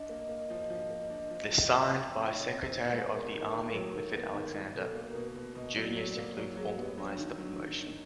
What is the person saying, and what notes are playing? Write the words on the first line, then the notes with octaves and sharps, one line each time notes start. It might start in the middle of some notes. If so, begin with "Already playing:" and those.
The signed by Secretary of the Army Clifford Alexander, Junior simply formalised the promotion.
Already playing: D4 D#5
A#3
A#3
F3
F3
A#3
D4
F3
F3
C4
F3
C4
C5
D#4 C#5
C4
C5
D#4
B4
G#3
B3 A#4
D#3
D#3
F#3
D#3
B3
D#3
D#3
B2 A4
A#3
A#4
B2
B2
B2 D#5
F#3 C#5
D5
F#3
D5
A#3
F#3 D5
F#3 G#4
B3 G4
F#3 D4
D#3
F#3
D#3
D#3